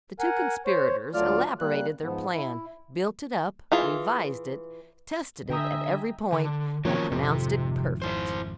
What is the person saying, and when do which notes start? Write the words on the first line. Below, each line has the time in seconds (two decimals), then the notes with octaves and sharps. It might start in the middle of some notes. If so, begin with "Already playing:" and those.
The two conspirators elaborated their plan, built it up, revised it, tested it at every point, and pronounced it perfect.
0.20 A#4 F#5 G#5
0.66 C5 C#5
1.14 D2 F#3 A3 F4 D5 F6
1.59 G3 A#3 F#6
2.02 G#2 F3 B3
2.34 E4
3.72 E3 F4 G#4
5.50 D3 D#5 E5 G5 G#5 A#5 D#6
6.32 D3
6.85 D#3 F3 F#3 A#3 C#4 C#5
7.12 G#1 F2 C3
8.02 E4 C5